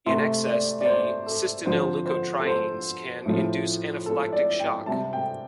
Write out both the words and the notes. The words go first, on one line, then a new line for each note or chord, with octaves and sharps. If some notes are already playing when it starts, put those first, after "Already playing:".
In excess, the cysteinyl leukotrienes can induce anaphylactic shock.
C3 A3 C4 C6
D5
D5
C5
A4
D3 F3 C4 C5
C5
A4
C5
A2 F3 C4
A4
D5
G5
C3 G3 C4 A5
G5